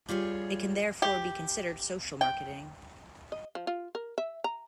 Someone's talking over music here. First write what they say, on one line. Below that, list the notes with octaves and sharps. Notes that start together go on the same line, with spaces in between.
It can therefore be considered social marketing.
G3 F4 G#4 C#5
G4
G5
D#5
F3
F4
A#4
E5
A#5